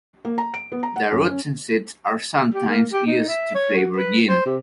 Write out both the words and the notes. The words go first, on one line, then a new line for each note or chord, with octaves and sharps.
The roots and seeds are sometimes used to flavor gin.
A#3
A#5
D7
B3
A#5
F#5
F#2
C#4
G4
A#3
G4
D#4
E5
C#5
F#4
B4
C5
C3